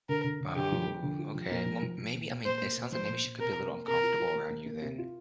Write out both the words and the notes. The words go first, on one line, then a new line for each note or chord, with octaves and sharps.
Oh, okay. Well, maybe I mean, it sounds like maybe she could be a little uncomfortable around you then.
D3 A#4
D3
D3
D3 G4
F3
F3
D3
F4
F3
A#2 A#4
F3
F3
F3
A#2
A#2
A#2 C5
A#3
A#2
F3 C5
A#2
A#2
C3 A#4
C3
A#3
C3 A#4
F4
F4
A#3
A#3
A#3
C3
F4